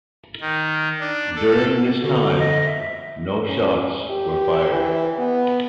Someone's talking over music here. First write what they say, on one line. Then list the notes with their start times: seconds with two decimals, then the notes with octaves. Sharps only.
During this time, no shots were fired.
0.41 D#3
1.01 D4
1.35 A4
2.03 D3 F#4
2.38 D#5
2.65 E5
3.46 C#4
4.09 G4
4.71 E3
5.19 B3